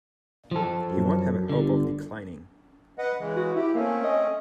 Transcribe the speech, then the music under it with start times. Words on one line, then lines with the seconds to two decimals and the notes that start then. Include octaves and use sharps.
He won't have a hope of declining.
0.51 F3 A4
0.92 F#2
1.49 G1 D3
2.98 B4 D#5 F#5
3.19 C#3 E3 G#3
3.36 F#4
3.55 E4 G4
3.75 A3 A#3 C4 C#4
4.04 D#5